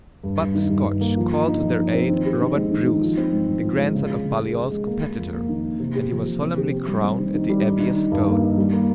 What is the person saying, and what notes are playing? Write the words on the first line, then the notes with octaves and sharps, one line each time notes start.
But the Scotch called to their aid Robert Bruce, the grandson of Baliol's competitor, and he was solemnly crowned at the Abbey of Scone.
G2
G2
D#3
G2
G2
A#3
F3
F3
D#4
F3
D#4
C4
D#3
G4
D#3
G#3
D#3
D#3
F3
C4
G#2
G#2
F3
G#3
C#3
G#4
C#3
G#4
G#3
G#3
A#3
A#3
F2
A#3
D#3
A#3
C3
G4
F3
C3
C4
G4
C4
G3
C4
D#3
D#3
G3
D#4
D#3
D#4
G2
A#3
D#4
G3
A#3